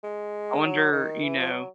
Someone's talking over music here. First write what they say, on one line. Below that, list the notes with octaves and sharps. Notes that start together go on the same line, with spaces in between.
I wonder, you know
G#3
F#3
D#3
E3
F3
F#3